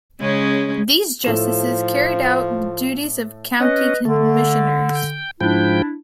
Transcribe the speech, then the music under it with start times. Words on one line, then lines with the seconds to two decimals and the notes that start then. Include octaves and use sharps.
These justices carried out the duties of county commissioners.
0.20 C#3 G#3 C#4
1.24 A2 F3 A4 E7
3.60 C#4 B4 D#5
4.05 D3 A3
4.95 G5
5.41 G#2 F3 D4 E4 G5